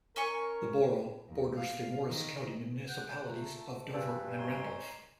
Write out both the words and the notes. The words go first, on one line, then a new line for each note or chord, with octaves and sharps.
The borough borders the Morris County municipalities of Dover and Randolph.
C#4 A#4 G#5 C#6
D#2
F5
D#3
F#5 F#6 G6
A3 F4 A5 A#5
D#5 F#5 A5
G2 B4 D5 G#5 A5 E6
D#4 C#5 C6